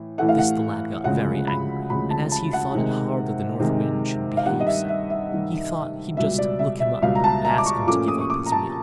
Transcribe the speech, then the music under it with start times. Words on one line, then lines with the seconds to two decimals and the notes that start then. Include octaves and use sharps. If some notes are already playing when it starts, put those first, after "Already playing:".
At this the lad got very angry; and as he thought it hard that the North Wind should behave so, he thought he'd just look him up, and ask him to give up his meal.
Already playing: A2 E3
0.18 A2 E3 A3 F#5
0.29 F5
0.38 F#5
1.04 D2 C#3 F3 G#3 F#5
1.47 B5
1.90 D2 C#3 F3 G#3 B5
2.10 A5
2.32 A5
2.53 F#5
2.75 C3 D#3 G#3
3.60 C3 D#3 G#3
4.37 F5
4.46 G2 D#3 G3 F#5
4.60 D#5
4.67 E5
4.88 E5
5.10 E5
5.32 G2 D#3 G3
6.17 C#2 B2 G3 E5
6.38 D5
6.59 E5
6.80 E5
7.02 C#2 B2 G3 F5
7.15 A#5
7.24 A5
7.45 A#5
7.58 D6
7.66 C#6
7.87 A#2 F3 A3 C#4 D6
8.08 D#6
8.20 C#6
8.30 D6
8.46 A#5
8.52 A5